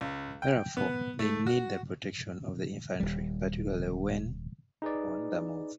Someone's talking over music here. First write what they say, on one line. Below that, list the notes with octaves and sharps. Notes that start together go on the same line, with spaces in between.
Therefore, they need the protection of the infantry, particularly when on the move.
C#2
G5
B3
A3
F#4
D#1 G3
D#4 G#4 B4 D5